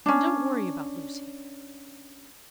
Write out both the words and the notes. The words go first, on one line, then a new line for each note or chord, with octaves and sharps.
And don't worry about Lucy.
C#4 D4